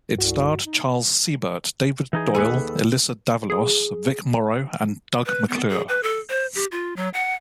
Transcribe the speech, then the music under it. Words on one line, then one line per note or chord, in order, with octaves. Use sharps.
It starred Charles Siebert, David Doyle, Elyssa Davalos, Vic Morrow, and Doug McClure.
C2 G2 F#4
D#4
E3 D#4 G#4
D#2 G#4 A4 B4
G#4
B4
B3
G#4
B4
A4
C5
G4
F4
F#3
F#5